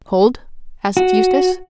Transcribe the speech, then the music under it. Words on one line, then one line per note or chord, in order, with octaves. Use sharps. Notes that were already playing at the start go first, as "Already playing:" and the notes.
"Cold?" asked Eustace.
F#4